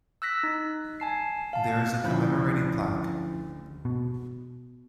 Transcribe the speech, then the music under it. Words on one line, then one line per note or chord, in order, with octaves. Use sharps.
There is a commemorating plaque.
E6 F#6 A#6 B6
D#4
G#5 A5 C7
F5 A5
D2 F3 C#4 E4 B5 G6
B2